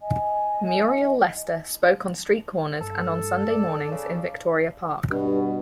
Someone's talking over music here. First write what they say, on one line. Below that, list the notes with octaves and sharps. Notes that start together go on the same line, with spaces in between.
Muriel Lester spoke on street corners and on Sunday mornings in Victoria Park.
D#5 G#5
G2 A4
D5
C#3
G2 B2